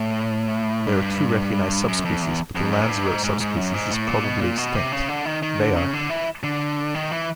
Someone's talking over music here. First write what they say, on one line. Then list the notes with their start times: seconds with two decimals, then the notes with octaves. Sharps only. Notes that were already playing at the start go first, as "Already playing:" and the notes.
There are two recognised subspecies but the Lanzarote subspecies is probably extinct; they are.
Already playing: A2
0.87 G2
1.88 F#2
2.05 F2
2.22 E2
2.55 F2
2.72 F#2
2.81 G#2
2.89 G2
3.06 G#2
3.23 G#2
3.40 G#2
3.57 F#2
3.74 G#2
3.90 A2
4.07 A#2
4.24 B2
4.41 A#2
4.58 B2
4.75 C3
4.92 C#3
5.08 D3
5.26 D#3
5.42 D#3
5.60 D3
5.76 C#3
5.93 D3
6.09 E3
6.43 D3
6.95 D#3
7.11 E3